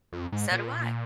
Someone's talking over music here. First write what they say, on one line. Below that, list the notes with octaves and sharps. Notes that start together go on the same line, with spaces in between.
So do I.
F2
G#2
A#2